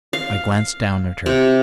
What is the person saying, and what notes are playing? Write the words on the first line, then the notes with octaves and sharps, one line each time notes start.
I glanced down at her.
F5
C3